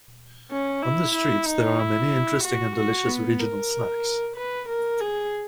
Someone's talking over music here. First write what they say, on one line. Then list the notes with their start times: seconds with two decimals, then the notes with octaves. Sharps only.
On the streets, there are many interesting and delicious regional snacks.
0.51 C#4
0.82 E4
1.14 E4
1.47 D#4
1.79 E4
2.44 F#4
2.76 F#4
3.07 B3
3.39 A#4
4.36 B4
4.69 A#4
5.00 G#4